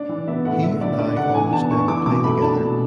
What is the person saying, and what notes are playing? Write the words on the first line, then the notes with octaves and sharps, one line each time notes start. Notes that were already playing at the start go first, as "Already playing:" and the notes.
He and I almost never play together.
Already playing: D4 D5
E3
B3 E5
A2 F#5
D3 E5
A3 D5
D4 D5
D3 F#5
E3 G#5
B3 A5
D4 C#6
E3 D6
B2 D6
A3 B5
D4 A5
B2